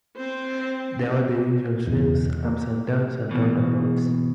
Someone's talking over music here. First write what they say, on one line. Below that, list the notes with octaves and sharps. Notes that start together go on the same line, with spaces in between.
There were the usual swings, ups-and-downs and roundabouts.
C4 C5
E2 G2 B2
A#3
B2 E3